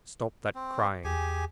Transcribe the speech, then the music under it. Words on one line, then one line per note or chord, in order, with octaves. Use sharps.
'Stop that crying.
C4
E2 G4 G#4 G#5